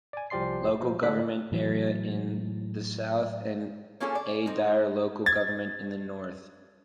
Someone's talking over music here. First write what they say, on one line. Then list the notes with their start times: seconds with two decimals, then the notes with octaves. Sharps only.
Local Government Area in the South and Ayedire Local Government in the North.
0.13 D5 G#5
0.30 C2 F3 G4 D5 C6 C7
0.80 A#2 F3
1.02 A2 D3 G#3 F#6 B6
1.52 A2 E3 F#3
4.00 A#3 C#4 F4 G#4 A4
4.15 D5
4.46 C4 D#4
5.26 G#6 A6